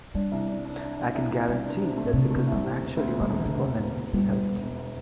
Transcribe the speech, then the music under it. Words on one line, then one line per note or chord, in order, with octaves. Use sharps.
I can guarantee that because I am actually one of the women he helped.
G3 D4
C2
D4
D4
D4
D4
C2
C2
G3 D4
D4
C3
A3
A2
C3 D4
A3
C3
C2
G3
E3
C3
E1
D2
E1
G3
E1 E3
D2 D3
D2
E1
E1
E1 G3
E1
E1
E1